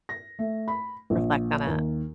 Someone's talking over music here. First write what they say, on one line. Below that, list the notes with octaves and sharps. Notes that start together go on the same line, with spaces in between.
reflect on a
A#6
A3
B5
A#1
D#2